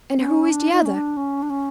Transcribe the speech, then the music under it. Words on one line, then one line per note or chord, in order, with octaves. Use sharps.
"And who is the other?"
C#4
D4
D#4
C#4
D4
C#4
D4
C#4